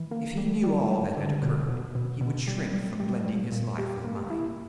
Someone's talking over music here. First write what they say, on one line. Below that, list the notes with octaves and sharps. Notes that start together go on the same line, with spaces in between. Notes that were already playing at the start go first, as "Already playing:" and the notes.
'If he knew all that had occurred he would shrink from blending his life with mine.'
Already playing: E3
A#3
G3
G3
G3
D3
B2
B2
B2
B2
G3
G3
G3
G3
A#2
G4
A#3
E4